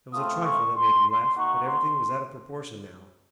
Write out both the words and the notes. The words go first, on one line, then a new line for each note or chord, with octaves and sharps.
It was a trifle that made him laugh, but everything was out of proportion now.
A3 C4 F4 D#6
C#6
C6
C6
A#3 D#4 F#4 C#6
C6